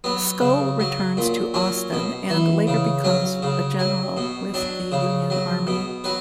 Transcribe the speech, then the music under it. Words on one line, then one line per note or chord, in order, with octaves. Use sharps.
Scull returns to Austin and later becomes a general with the Union army.
F#3 B3
C#3
F#3
A#2
F#3 C#4
B2
E3
C#3
F#3 C#4
C#3
F#3
B2
F#3 D4
C#3
F#3
B2
F#3 B4